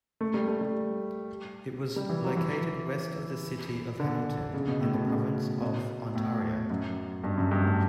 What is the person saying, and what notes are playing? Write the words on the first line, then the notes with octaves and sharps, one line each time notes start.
It was located west of the city of Hamilton in the province of Ontario.
A3
G3
A3
G3
G3
E3
F#3
E3
D3
C#3
B2
A2
B2
C#3
B2
A2
F#2
G2
F#2
G2
A2